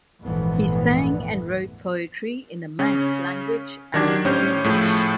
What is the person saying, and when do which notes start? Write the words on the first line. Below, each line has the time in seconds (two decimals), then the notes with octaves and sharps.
He sang and wrote poetry in the Manx language and in English.
0.21 G#1 F2 A#2 E3 A3 B3
2.79 C#3 C#4
3.94 D#3 F#3 D4 G4 G#6
4.25 A2 C#4 G4 C5 C#5 G6
4.64 A2 F3 A3 G#4